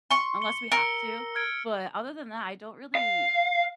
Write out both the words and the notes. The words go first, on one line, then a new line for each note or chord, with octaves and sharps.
unless we have to, but other than that, I don't really
C6 C#6 C#7
C#7 G7
A#4 E6 C#7
F6 G#6 D7
F5